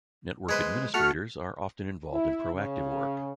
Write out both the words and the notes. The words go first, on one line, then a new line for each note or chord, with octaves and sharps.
Network administrators are often involved in proactive work.
G#3 B4 C5
A3 F#4 F6
E4
C#3